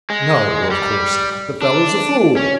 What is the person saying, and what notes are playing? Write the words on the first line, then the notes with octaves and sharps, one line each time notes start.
"No, of course not; the fellow's a fool."
G#3
G3
D4
C#4